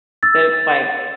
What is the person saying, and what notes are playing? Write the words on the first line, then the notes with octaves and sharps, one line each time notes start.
that's, like,
E6 A6